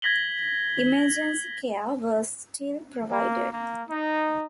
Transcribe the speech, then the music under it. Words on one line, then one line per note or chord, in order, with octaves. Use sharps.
Emergency care was still provided.
G#6 A#6 B6 F#7 G7
A#3
A#3
D#4